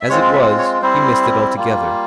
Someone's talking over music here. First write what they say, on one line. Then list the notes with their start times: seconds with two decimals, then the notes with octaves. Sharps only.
As it was, he missed it altogether.
0.01 E5
0.09 G#3 C4 F4 C#5
0.33 E5
0.58 C#5
0.82 G3 C4 E4 C5
1.55 G3 A#3 F4